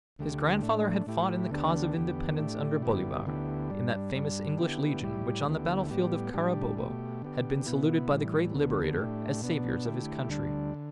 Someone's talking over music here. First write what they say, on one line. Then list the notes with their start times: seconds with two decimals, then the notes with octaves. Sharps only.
His grandfather had fought in the cause of independence under Bolivar, in that famous English legion which on the battlefield of Carabobo had been saluted by the great Liberator as Saviours of his country.
0.19 D2 D3 A3 G4
0.62 A2 A3 D4
1.06 A2 A3 E4 G4
1.50 D2 D3 B3 D4 G4
1.94 E2 D3 B3 G4
2.38 A2 A3 D4 G4
2.82 G2 D3 B3 E4 G4
3.26 D2 D3 B3 E4 G4
3.70 G2 G3 D4
4.15 G2 G3 D4
4.58 D3 B3 E4 G4
5.02 A2 G3 E4 G4
5.46 D2 D3 B3 E4 G4
5.90 A2 G3 B3 G4
6.34 A2 G3 D4 G4
6.78 B2 A3 G4
7.22 D3 B3 G4
7.66 B2 B3 E4
8.10 A2 E3 G3
8.55 D2 D3 B3
8.97 A2 A3 D4 G4
9.41 B2 B3 D4
9.86 D3 A3 E4 G4
10.30 D2 D3 G3 D4
10.74 D3